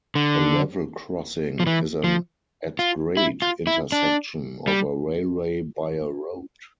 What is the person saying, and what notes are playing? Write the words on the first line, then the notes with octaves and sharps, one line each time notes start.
A level crossing is an at-grade intersection of a railway by a road.
D3
F3
E3
F3
F4
E4
F4
E4
D4
G3